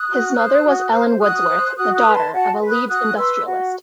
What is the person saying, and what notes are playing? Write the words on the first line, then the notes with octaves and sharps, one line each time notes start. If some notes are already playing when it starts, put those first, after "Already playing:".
His mother was Ellen Wordsworth, the daughter of a Leeds industrialist.
Already playing: D#6 F#6
F#4
C5
F#4
C5
F#4 D#6 F#6
C5
F#4 D#6 F#6
D#6 F#6
B4
A5 C6
F#4 F#5 A5
B4
D#6 F#6
F#4 D#6 F#6
B4 C6 E6
F#4